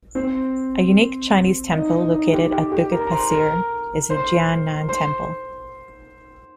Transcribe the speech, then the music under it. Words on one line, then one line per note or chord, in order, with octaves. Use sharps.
A unique Chinese temple located at Bukit Pasir is the Jian Nan Temple.
C4 C5
D#4 D#5
D#4 D#5
D#4 D#5
G4 G5
G4 G5
G4 G5
A#4 A#5
A#5
C5 C6
A#4 A#5
C5 C6
C5 C6